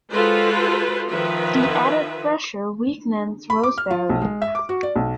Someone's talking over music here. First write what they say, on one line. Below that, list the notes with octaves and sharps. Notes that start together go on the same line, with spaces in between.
The added pressure weakened Rosebery.
G#3 F4 F#4 A4 B4 C5
D#3 F3 B4 E5
B5
D6
F6
F4
B1
G#3
E5
D6
F#4
D5
B1